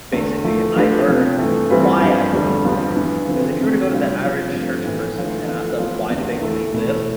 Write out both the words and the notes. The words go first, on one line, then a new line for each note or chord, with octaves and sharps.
Basically, I learn why I believe what I believe, ‘cause if you were to go to the average church person and ask them why do they believe this?
E2 D3 A3
F3 A3 E4
F3 A3 D4 G4 B4
F2 C3 F3 B3
G2 E3 A3
E3 G3 C4 F4 B4
G2 F3 C4
E2 D3 G3
G2 F3 B3
E3 B3 D4
D3 F3 C4
F2 D3 A3
C3 G3 D4 F4
F3 B3 F4
G2 F3 A3 C4
A2 E3 B3
D3 F3 A3 E4
E3 B3 F4 A4
F3 B3 F4
E2 D3 A3
E3 A3 E4 A4
B2 A3 E4